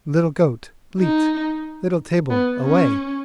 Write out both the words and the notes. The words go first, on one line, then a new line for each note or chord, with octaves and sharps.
'Little goat, bleat, Little table, away.'
D#4
B3
C#4